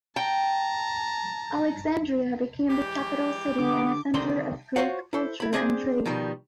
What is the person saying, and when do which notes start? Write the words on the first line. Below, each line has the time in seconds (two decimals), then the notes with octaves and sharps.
Alexandria became the capital city and a center of Greek culture and trade.
0.16 G5 A5 A#5
2.70 E3 G#3 G4
3.59 D3 B3 D6
4.14 C2 D3 D#3 C4 D4 C6
4.76 F4 F#4 C5 C#5 F5 F#5
5.13 E4 A4 C5
5.40 E4 B5
5.53 C4 D4 G#4 C5 F#5 G#5
6.05 B2 D#3 F3 G3